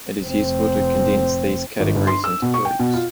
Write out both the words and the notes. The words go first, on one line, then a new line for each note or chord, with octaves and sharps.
It is useful to condense these categories into groups.
F1 C4
G#1
G1
C6
E6
B2
C#6
G5
B2
F4